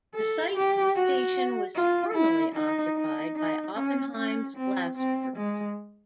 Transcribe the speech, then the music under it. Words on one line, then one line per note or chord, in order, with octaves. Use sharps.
The site of the station was formerly occupied by Oppenheims Glassworks.
A4
G4
F#4
F4
E4
D#4
D#4
D#4
C#4
C#4
C4
C4
G#3